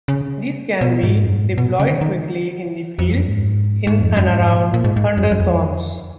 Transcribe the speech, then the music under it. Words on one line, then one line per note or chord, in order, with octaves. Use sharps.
These can be deployed quickly in the field, in and around thunderstorms.
C#3
B2
G#2
F#2
G#2
A#2
B2
C#3
D#3
D#3
F2
F#2
G#2
G#2
F2
F#2
G#2
A#2
A#2
G#2
G#2
F#2
F#2
F2